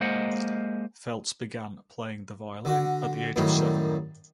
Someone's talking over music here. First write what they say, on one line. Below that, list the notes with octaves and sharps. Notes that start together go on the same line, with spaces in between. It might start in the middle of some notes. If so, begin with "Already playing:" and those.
Feltz began playing the violin at the age of seven.
G#3 A#3 C5 D#5 F#5
D3 F#4
F#2 A2 D#3 G3